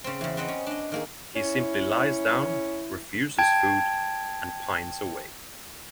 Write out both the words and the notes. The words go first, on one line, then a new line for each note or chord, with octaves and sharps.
He simply lies down, refuses food, and pines away.
C#3 C4
E2 C#3
C4 B4 D#5 F#5
C#4
D4 D#5
D#3 A#3 G#4
C#4 E4
G5 A5 G#6